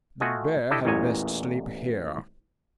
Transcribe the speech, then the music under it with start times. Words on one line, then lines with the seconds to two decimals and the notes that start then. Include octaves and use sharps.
'The bear had best sleep here.'
0.21 A3 F4 F#4 D#5 G#5
0.71 D4 E4 G4 A4 D#5
0.85 A1 E2 A#2 C#5 D#5 G#5